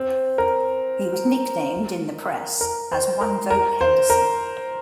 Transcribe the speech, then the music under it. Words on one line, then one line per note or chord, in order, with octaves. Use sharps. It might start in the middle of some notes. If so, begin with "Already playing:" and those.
He was nicknamed, in the press, as one vote Henderson.
Already playing: C4
A#4
A#4
C5
A#4
A#4
C5
A#4